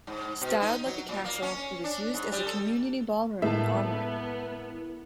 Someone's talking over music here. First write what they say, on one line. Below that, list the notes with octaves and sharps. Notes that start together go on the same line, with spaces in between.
Styled like a castle, it was used as a community ballroom and armory.
G#2
B2
D#4
F#3
A#2
A#3
C#4
D4
G#2
G3
A4
A2 G#3 A#3 B3 E5 A5